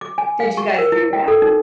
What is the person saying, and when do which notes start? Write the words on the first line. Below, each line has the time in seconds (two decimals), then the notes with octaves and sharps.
Did you guys do that?
0.01 D6
0.18 G#5
0.40 F5
0.57 C#6
0.78 A#4
0.92 E4
1.13 G5
1.28 A4
1.42 D#4